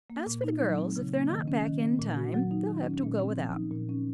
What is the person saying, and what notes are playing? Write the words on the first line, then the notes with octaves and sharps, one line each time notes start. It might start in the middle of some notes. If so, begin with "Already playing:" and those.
As for the girls, if they're not back in time they'll have to go without.
A#3
A#2
D#4
F#3
C4
C#3
A#3
D#3
C#4
D#3
A#3
A#2
F#4
F#3
D#4
D#3
C#4
A#2
C4
F3
D#4
A#2
C#4